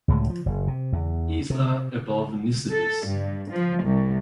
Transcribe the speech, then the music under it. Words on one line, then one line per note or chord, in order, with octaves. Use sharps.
Izla above Nisibis.
C#2 A2 D3 G#3
F3
F#1
C3
E2
C3
A4
G2
F3
C2